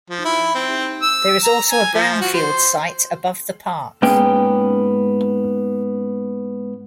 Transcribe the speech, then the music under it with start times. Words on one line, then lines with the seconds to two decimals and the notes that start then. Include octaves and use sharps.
There is also a brownfield site above the park.
0.10 F3
0.25 E4
0.55 C4
1.02 E6
1.44 A#5
1.70 G#5
1.93 F3
2.21 F#4
2.34 C5
4.02 G#2 A#3 B3 C#4 G5